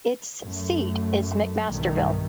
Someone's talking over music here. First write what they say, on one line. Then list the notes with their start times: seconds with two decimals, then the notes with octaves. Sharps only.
Its seat is McMasterville.
0.44 F#2 A3
1.69 B1 G2 D#3 A3